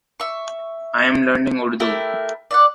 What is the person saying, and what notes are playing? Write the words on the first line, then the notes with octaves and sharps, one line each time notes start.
I am learning Urdu.
E5 C#6
A3 E4 G4 A#4
D5 E5 F#5